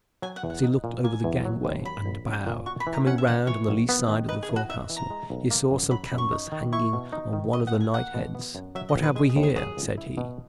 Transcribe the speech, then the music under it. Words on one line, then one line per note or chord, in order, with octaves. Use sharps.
As he looked over the gangway and bow, coming round on the lee side of the forecastle, he saw some canvas hanging on one of the night-heads--"What have we here?" said he.
F#3 G#5
F#5
E2
F#5
D#4
A#2
A#3 G#5
E2
F#3
D#2
F#3 B5
A#1
C#4
A#2
F#4 C#6
B5
E3
A#5
C#4 F#5
E5
B2 F#5
E3 C#5
A#1
B3
D#3
D#4 B4
G#4
E3
F#4
D#4 E5
E3
A#5
G#3
B1
A#3
F#2
F#3 B5
B5
F#2
C#6
D#4
D#3
E4 C#6
B2
D#4
D#3
B3 D#5
F#5
A#2
G#5
A#3 F#5
B2
B3
F#2
F#3 E5
D#5
A#1
B4
G#3 G#4
G#4
D#2
G#4
F#3 G#4
C#2
E4
B2